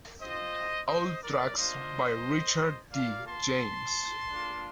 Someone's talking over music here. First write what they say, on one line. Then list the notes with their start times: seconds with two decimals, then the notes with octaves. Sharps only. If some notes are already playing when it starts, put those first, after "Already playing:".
All tracks by Richard D. James.
0.20 C4 F4 C5 D#5
0.88 C5 D#5
1.22 A#4 D5
1.57 A#3 D4 F4 C5 D#5
2.92 A#3 F4 D5 F5
3.26 A5 C6
4.28 A#3 D4 F4